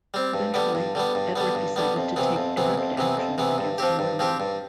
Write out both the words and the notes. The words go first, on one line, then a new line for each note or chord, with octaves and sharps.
Eventually, Edward decided to take direct action against Mortimer.
G3 C4
G2
D3 G3 B3
G2
D3 G3 B3
G2
D3 G3 B3
G2
D3 G3 B3
F2
C3 E3 B3
F2
C3 E3 B3
F2
C3 E3 B3
F2
C3 E3 B3
G2
F3 C4 G4
G2
F3 C4 G4
G2